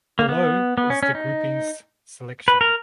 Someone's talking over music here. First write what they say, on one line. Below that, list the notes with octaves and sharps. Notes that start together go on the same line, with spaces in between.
Below is the groupings selection.
A#3
B3
B3
C#4
C#4
D#4
B4
A#4